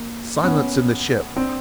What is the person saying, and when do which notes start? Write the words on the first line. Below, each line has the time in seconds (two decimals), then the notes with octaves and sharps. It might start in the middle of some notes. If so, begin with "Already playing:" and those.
"Silence in the ship!"
Already playing: A#3
0.43 B3 C#4
1.36 C4 D4